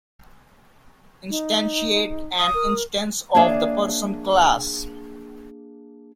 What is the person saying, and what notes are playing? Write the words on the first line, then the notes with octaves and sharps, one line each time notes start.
Instantiate an instance of the Person class.
D#4
F5 D#6
A#4
A#3 D4 G#4 C#5 D5 E5